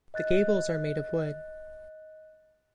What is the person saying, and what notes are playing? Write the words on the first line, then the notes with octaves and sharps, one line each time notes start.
The gables are made of wood.
D#5 F#6 A6